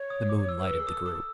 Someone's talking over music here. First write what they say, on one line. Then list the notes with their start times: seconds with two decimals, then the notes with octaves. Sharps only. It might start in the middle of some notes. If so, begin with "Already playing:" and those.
The moon lighted the group.
Already playing: C#5
0.10 D#6
0.29 D6
0.49 E6
0.62 A#4
0.67 B4 E6
0.80 G#4
0.87 A4 D#6
1.05 A4 D#6